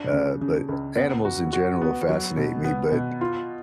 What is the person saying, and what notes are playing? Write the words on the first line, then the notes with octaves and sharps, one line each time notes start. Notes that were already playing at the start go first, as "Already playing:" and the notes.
uh but animals in general fascinate me, but
Already playing: D4
C#3
C#3
C#2
B3
F#4
F#4
B3
F#3
B2
B3
B2
F4